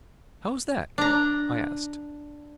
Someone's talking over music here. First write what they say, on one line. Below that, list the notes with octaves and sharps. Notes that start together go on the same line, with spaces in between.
"How is that?" I asked.
D4 A#5